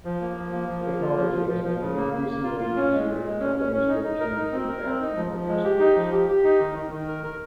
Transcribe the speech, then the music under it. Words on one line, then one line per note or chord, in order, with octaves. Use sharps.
Technology has made it increasingly easier for companies to obtain feedback from their customers.
F3
A#3
F3
A#3
F3
A#3
F4
F3
F3
F3
F3
C#3
A#3
A#3
A#3
F4
F4
C#4
G#3
A#2
G#3
C#4
C#4
C#4
D#4
D#4
A#4
D#4
C4
A#4
C4
D#4
F3
F3
G#3
G4
D#4
F3
G4
G4
D#4
D#3
D#3
D#3
A#4
A#4